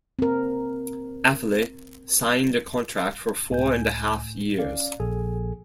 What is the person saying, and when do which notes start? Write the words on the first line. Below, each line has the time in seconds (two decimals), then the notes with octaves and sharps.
Afellay signed a contract for four-and-a-half years.
0.19 C4 A#4
3.51 C#2 A2 G#5 G6
4.59 C#4 D5 F5
5.00 A#1 G#4 A4 G#5